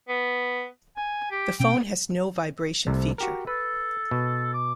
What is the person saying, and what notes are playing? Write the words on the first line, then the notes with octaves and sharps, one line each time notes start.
The phone has no vibration feature.
B3
G#5
G4
B2 C4 C#4 G5
C2 C3 A3
F#4 G4 A#4
A4 B4
B2
D6